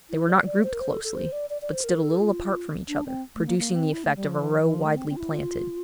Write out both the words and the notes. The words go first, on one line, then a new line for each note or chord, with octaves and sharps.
They were not grouped closely, but stood a little apart from each other, producing the effect of a row widely planted.
E4
D5
D5
C5
A#4
C5
A4
A4
C5
D5
D5
D5
C5
A#4
A4
F4
D4
C4
A3
A#3
A#3
C4
E4
A3
G3
F3
E3
F3
E3
F3
A3
C4
C4
F4
E4
F4